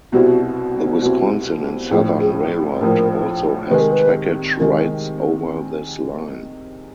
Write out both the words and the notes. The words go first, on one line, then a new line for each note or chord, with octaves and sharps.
The Wisconsin and Southern Railroad also has trackage rights over this line.
C2 B2 G3 C4 E4 F#4
C2 B2 G3 C4 E4 F#4
A#1 A2 F3 G#4
G#4
A#1 A2 F3 A#4
C3 D#3 G#3 B4
A#4
B4
C3 D#3 G#3 A#4